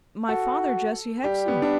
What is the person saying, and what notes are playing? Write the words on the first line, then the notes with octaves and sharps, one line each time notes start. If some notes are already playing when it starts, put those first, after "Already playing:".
'My father, Jesse Hexam.'
F#4 A4
G3 G4
B3
D4